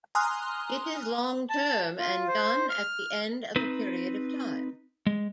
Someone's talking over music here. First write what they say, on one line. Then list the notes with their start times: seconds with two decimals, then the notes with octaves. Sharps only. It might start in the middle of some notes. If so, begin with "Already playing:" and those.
It is long term and done at the end of a period of time.
0.15 G#5 A#5 C6 D#6 F6 F#6
1.50 A5
1.99 F4
2.27 C5
2.70 F6
3.56 C4 D#4 B4
5.07 G#3